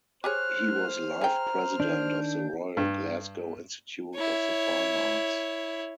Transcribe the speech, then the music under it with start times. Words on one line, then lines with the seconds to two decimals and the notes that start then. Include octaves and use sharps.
He was Life-President of the Royal Glasgow Institute of the Fine Arts.
0.24 G4 G#4 C5 C#5 F6 F#6
1.21 G#4 G5 A#5
1.80 D#3 D4 G6
2.77 G2
4.14 E4 C#5